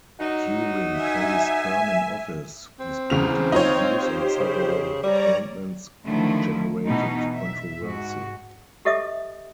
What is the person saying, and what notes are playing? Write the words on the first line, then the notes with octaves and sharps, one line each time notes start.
During Kelly's term in office, his political views and several appointments generated controversy.
F#3 D#4
E5 G#5
C4
E2 C#3 F7
D#4 F4 C#5
G4 C5
C#3
G3 C#5 D5 A#5
D3 D#3 F3 F#3 A3 E4
B2 E3 D#4
E5
G#2 F#4
G4 A4 D#5 E5 D6 D#6